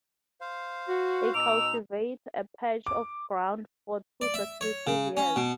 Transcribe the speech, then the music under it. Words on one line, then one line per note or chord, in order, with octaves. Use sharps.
They cultivate a patch of ground for two successive years.
C5 F5
F#4
B2 D#4 D6 E6 F7
D6
D5
E5
C#5
C#3
C#4
B2